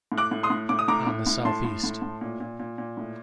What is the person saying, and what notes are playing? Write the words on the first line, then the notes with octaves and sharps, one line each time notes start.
On the Southeast.
A2
D6 F#6
A2
C6 D#6
A2
A2 D6
D#6
A2 A#5 D6
A2
A2
A2 A5 C6
A2
A2
A2
A#2
A#2
A#2
A#2
A2